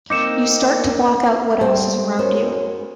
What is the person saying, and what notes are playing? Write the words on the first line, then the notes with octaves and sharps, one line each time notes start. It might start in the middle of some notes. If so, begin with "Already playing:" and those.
You start to block out what else is around you.
A#3 C4 D#4 D6 C#7 E7
G3 C4 G#4 A4 C5 G5
F#2 B3 C#4 A#4 C5